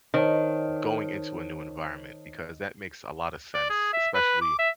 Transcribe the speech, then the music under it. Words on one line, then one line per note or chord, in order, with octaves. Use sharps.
going into a new environment, because that makes a lotta sense, especially
D#3 C5 C#5 A5
D5
G#4
E5
B4
D6
E5